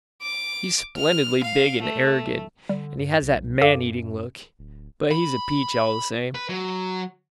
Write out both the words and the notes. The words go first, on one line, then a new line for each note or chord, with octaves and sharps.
He's splendidly big and arrogant, and has that man-eating look, but he's a peach all the same.
D6
F6
F5
A3
D3 G3
G2
B1
F#2 A4 F5 D6
D1
B5
B4
F#3